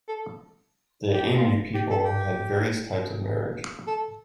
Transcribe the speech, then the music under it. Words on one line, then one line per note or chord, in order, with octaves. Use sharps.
The Ainu people had various types of marriage.
A4
G4
F4
G4
A4
G4
A4